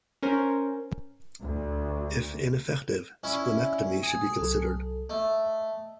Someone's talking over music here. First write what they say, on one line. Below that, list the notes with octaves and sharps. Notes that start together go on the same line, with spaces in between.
If ineffective, splenectomy should be considered.
C#4 A#4 C5
D2
C#4 E4 D5 D#5
G#4
C2 F#3 A4
A3 D#5